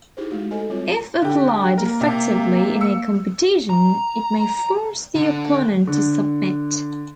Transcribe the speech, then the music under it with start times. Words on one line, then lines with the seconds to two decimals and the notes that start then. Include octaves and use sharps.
If applied effectively in a competition it may force the opponent to submit.
0.17 D#4 E4 G4 G#4 C5
0.31 G#3 A3 F#4
0.51 A4 C5 D#5 G#5
0.70 G3 C4 F4 C#5
1.22 D3 G4
1.78 A#3 A#4
2.01 C3
2.81 E6 C#7
3.70 A#5
5.15 D3
5.87 D3